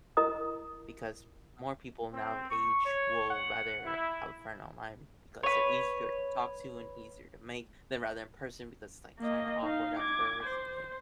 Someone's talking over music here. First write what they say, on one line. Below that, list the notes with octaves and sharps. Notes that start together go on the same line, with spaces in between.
because more people now age will rather have a friend online because they're easier to talk to and easier to make, than rather in person because it's, like, kinda awkward at first, and then
E4 A#4 D#5 A#5 D#6
C4
C#6
C#5
F#5
E4
B4 C#5
A#3 D#5
D#4 F5
D6 G#6
C5